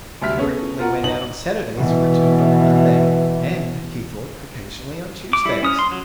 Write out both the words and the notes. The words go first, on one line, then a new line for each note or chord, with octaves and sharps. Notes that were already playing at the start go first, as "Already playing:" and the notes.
She frequently went out on Saturdays and returned on the Monday and, he thought, occasionally on Tuesdays.
D2 C3 G3 E5 F6 B6
B3 C#4 G#4 A4
F4 A#4 F#5
B1 D#4 F#7
B2 E3
D6
G3 E4
C#4 D#6 F6
C6
F#3